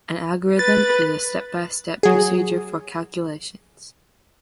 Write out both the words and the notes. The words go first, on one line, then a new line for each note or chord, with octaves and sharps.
An algorithm is a step-by-step procedure for calculations.
B4 A6
F#3 G#4